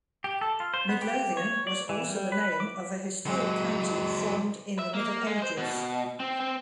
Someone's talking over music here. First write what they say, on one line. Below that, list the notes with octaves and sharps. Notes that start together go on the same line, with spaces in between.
Midlothian was also the name of a historic county formed in the Middle Ages.
G4
A4
F4
C5
B3
G4
C#5
D5
E3
G3
B4
D6
F#3 G#3
E5
A#3
G#3
C5
B2
C4
C4